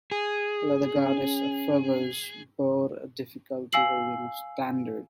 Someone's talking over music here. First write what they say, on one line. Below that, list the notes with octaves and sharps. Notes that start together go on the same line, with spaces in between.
"Leather Goddesses of Phobos" bore a difficulty rating of "Standard".
G#4
C#4
F5 G#5 E6 C7 F#7